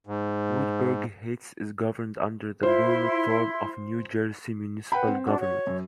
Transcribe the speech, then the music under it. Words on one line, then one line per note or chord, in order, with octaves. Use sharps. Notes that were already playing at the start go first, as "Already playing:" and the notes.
Woodbury Heights is governed under the Borough form of New Jersey municipal government.
G#2
E4 F4 C5 C6
B4 F#5 G5 B5
C4
D4 F#4
C#5
F#2